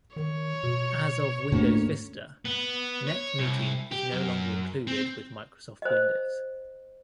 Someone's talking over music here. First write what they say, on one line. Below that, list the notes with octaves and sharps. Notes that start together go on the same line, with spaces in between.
As of Windows Vista, NetMeeting is no longer included with Microsoft Windows.
D#3 C#5
B2
D2 G#2 A#3 C#4
B3
C#5
C2
G4
F#2
C4
C5 D#5